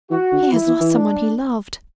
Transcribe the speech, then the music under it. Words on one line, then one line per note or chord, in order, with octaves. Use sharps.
'He has lost someone he loved.
E3 F#4
D3
E3 E4
E3
E3
D4